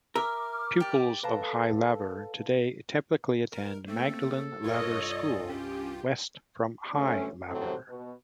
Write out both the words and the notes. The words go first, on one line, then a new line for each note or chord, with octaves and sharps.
Pupils of High Laver today typically attend Magdalen Laver school, west from High Laver.
A#4 E5 D6 F6
G4 D5
A4 B4 F5 A5 A#5
A#4
A3 A#3 C4 A4
C2 G2 F4 A#4 C#5 D#5
D5
C#4 G4
D2 G2 A3 C#4
D#2 A2 C3 F#3 C4 A4
B2